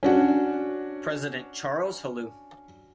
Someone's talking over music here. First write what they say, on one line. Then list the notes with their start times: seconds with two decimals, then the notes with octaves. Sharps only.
President Charles Helou.
0.03 C#4 D4 F#4